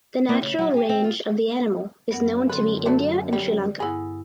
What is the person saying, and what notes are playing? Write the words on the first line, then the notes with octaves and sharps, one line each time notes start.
The natural range of the animal is known to be India and Sri Lanka.
A#3 E4 D5
C#3
F#3 E4
G4 G#4
C4
F4
F#2 B3 A#4 F#5
D3 A4 B4 C6
F#3 A3 D4
G3
G2 B3 E4 G#4